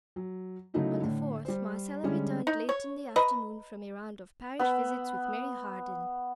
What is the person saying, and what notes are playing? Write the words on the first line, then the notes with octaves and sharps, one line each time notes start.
On the fourth Marcella returned late in the afternoon from a round of parish visits with Mary Harden.
F#3
C#3 F#3 A3 D#4 E4
A2 D3
G3 C5
D3 G3 G#3 C#4
D#4
C#5
B4 D#5 A#5
B3 B5 E6